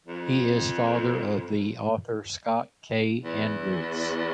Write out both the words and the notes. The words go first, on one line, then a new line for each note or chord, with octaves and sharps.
He is father of the author Scott K. Andrews.
F2
E2